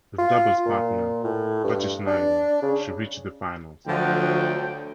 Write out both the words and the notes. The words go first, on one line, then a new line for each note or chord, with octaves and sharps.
With doubles partner Patty Schnyder she reached the finals.
F4
A#2
A2
G2
D4
C#3
D2 D3 F3 F#3 G5